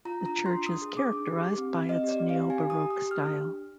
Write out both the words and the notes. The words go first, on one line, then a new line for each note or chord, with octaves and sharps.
The church is characterised by its neo-baroque style.
F4 A#5
D4 A#5
F4
C6
D4
D4 D#6
G#4
G#4 D6
D4
G4
G4
C4
C4
C4 D#5
G4
D5
C4
F5
G4
G4 G#5
G4 D#6
G4
D#6
G4
G4 F6
D4